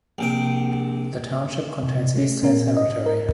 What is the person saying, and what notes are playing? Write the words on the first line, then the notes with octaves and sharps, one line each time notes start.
The township contains East Side Cemetery.
A#1 C3 G5
C3
A3 C#4
A#2 B3 C#4 A#4
D#5
A#4